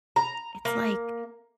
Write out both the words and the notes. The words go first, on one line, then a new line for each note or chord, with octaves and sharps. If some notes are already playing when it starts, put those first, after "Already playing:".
it's like
A#5
A#3